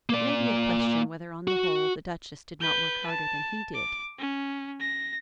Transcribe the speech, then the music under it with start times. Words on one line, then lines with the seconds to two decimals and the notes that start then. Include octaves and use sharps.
It may be a question whether on the whole the Duchess did not work harder than he did.
0.10 A#3 D5
1.48 F#4
2.61 B4 G6
3.07 A5
3.74 D6
4.18 C#4
4.80 A#6